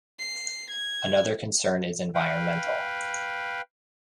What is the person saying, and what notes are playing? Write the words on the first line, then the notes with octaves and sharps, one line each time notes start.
Another concern is environmental.
C7
G#6
B4 F5 G5